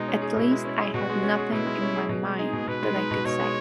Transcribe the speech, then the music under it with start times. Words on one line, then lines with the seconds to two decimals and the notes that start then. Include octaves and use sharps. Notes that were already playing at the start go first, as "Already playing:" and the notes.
At least I had nothing in my mind that I could say.
Already playing: B2 G#3 D#4
0.08 C#4
0.21 G#4
0.36 B2 E4
0.51 G#3
0.65 C#4
0.80 G#4
0.94 B2 F#4
1.09 G#3
1.23 C#4
1.38 G#4
1.52 B2 E4
1.66 G#3
1.81 C#4
1.96 G#4
2.09 B2
2.24 G#3
2.39 D#4 G#4
2.53 B2
2.68 B2 B4
2.83 G#3
2.96 D#4
3.11 B2
3.25 B2 C#5
3.40 G#3